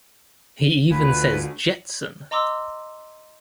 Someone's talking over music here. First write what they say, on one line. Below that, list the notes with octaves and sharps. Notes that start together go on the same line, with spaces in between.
He even says Jetson!
D2 F4 B4 G#5
D#5 A#5 C6 D6 E6